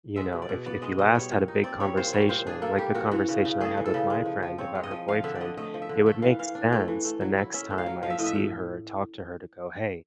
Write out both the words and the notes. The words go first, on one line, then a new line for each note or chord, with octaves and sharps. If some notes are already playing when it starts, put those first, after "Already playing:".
you know, if if you last had a big conversation, like the conversation I had with my friend about her boyfriend, it would make sense the next time I see her or talk to her to go, "Hey,
G#3 E5
B2
D5
B2
B3 D5
G#3 D#5
B2 D#5
G3 C#5
A#2
D#4
C4 D5
G3 C#5
A#2 C5
G3 C#5
A#2 C5
D4 G#4
A#3 A4
G3 G4
A#2 F#4
E3 F#4
C#3
C#3
A3 G#4
E3
A4
C#3
G#3
F3
F3
C4 C#5
G#3
D#5
F3
F3 F5
D3 E5
D5
D3 D#5
A3 D#5
F3
E5
D3
A3 E5
E3 F5
E3 F5
D4
A3
E3
A3
F#3
E4
C#4 E5
A3
F5
F#3
F3 F5
E5
A2 D#5
E5
A2